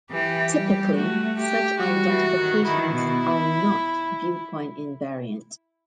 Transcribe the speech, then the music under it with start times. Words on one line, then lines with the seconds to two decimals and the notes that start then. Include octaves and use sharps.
Typically, such identifications are not viewpoint-invariant.
0.11 E3 G4
0.54 G3
0.96 A3 F#4
1.38 G4
1.80 G3 F#4
2.08 E3
2.36 D#3
2.65 D#3 E4
2.93 B2